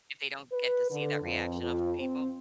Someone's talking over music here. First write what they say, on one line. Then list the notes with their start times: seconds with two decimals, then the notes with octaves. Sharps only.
If they don't get to see that reaction off of people,
0.51 B4
0.91 D3
1.22 F2
1.60 F2
1.99 C4